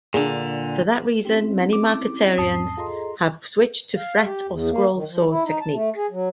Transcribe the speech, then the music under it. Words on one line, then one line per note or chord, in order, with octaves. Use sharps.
For that reason, many marquetarians have switched to fret or scroll saw techniques.
A#2 D3 D4 G#4
C4 C#4 D#4 E4 G4
D6
E2 G#2 A5 D#6 C7
F4 G#4 A4 D#5 A#5 C6
F5
G4
E2
A#3
D#3
F3
E4
D#4
A5
A3
G#4
F#3